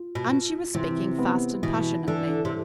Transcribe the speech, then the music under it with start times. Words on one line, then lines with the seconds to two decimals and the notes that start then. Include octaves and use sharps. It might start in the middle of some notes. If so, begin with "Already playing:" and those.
And she was speaking fast and passionately.
Already playing: F4
0.15 B2
0.30 F4
0.74 C3 E3
1.19 B3
1.63 B2 E3
2.08 D3 E3
2.45 C3